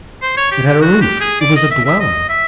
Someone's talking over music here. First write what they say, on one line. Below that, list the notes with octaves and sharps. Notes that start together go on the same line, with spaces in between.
It had a roof--it was a dwelling.
C5
C#5
G4
G4
F#4
G4
G#4
D5
D#5
E5
E5
D#5
E5